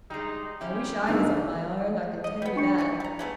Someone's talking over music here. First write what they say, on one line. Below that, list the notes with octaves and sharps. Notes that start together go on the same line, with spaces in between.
"I wish I was on my own, I can tell you that."
G3 G#3 D#4
F3 C#4 E4 G4
G1 C#3 A#3 D#4 E5
D#5
G3 B3
D4 C#6 C#7
E3 F3 D#4
G3 A#5
G#3 A3 B3